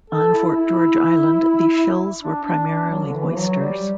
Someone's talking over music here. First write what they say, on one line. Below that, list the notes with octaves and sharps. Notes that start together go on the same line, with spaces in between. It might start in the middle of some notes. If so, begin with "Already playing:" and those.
On Fort George Island, the shells were primarily oysters.
A4
E4
E4
D4
D4
D4
F#3
D3
E3
F#3
G3